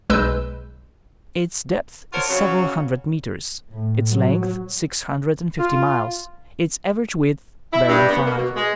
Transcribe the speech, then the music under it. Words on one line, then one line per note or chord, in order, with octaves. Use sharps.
Its depth is several hundred metres, its length six hundred and fifty miles, its average width barely five.
B1 G#3 B4 E6 G6
D4 F4 F#4 A#4 C5 C#5
C#3 F#3 C#4
A2
F#3
F4
E4
G2
B3
A#3
B2
G#3